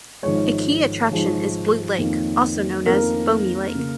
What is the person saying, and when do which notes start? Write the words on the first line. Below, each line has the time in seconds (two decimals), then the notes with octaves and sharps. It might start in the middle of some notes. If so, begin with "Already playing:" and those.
A key attraction is Blue Lake, also known as Bomi Lake.
0.23 G#1 G#2 F3 G#3 C#5
1.11 G#1 G#2 F3 G#3
1.98 F2 D#3 A#3
2.86 F2 D#3 A#3 A#4
3.75 C#3 A#3